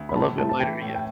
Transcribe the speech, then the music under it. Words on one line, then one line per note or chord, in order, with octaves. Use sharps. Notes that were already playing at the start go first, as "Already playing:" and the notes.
a little bit later. Yeah.
Already playing: D2
B5
A2 A5
A3 A5
A5
E3 G5
A2
G5